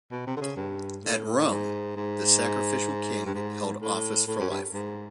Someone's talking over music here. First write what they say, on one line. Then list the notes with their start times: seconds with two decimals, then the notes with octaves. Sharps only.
At Rome, the Sacrificial King held office for life.
0.11 B2
0.27 C3
0.37 D3
0.41 C#3
0.57 G2
1.04 A2
1.50 G#2
1.97 G#2
3.26 G2
3.35 G#2
3.81 A2
4.28 A2
4.39 F#2
4.50 G2
4.73 G#2